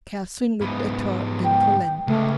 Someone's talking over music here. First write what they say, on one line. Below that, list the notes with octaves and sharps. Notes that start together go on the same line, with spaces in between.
Catherine looked at her and relented.
G#2 B3
G5
C#2 A3